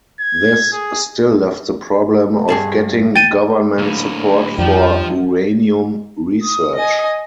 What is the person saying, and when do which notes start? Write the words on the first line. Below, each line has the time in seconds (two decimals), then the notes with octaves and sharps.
This still left the problem of getting government support for uranium research.
0.20 G#6
0.72 G#4
2.49 G2 G#4 A5
3.15 G5 A6 D#7
3.78 D2 A2 A#3
4.59 F2 D#3 F3 G3 D4 G5
6.43 D#6
6.75 D#5 G#5